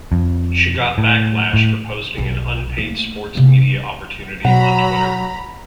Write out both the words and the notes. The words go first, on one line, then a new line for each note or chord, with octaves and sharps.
She got backlash for posting an unpaid sports media opportunity on Twitter.
F2
A2
A2
B1
A3 A#3
C3 A#3
B2 F#3 F#5 A#5 B5